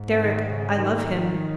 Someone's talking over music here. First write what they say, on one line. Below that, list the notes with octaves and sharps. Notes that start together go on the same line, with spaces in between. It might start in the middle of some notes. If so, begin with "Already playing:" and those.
"Deryck--I love him."
Already playing: G#2
D#3
C#3
D#3